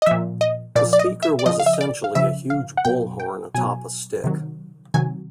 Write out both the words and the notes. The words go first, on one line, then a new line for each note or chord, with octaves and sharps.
The speaker was essentially a huge bullhorn atop a stick.
D#5
A#2 F3 E5
D#5
A#2 F3 D5
D5
D#5
E5
D5
C#3 F3 D#5
F5
E5
D#5
D5
F5
C#3 F3 E5
F5
F#5
B2 F#3 G5
G5
B2 F#3 G#5
C3 D#3 F#3
C3 D#3 F#3 G#5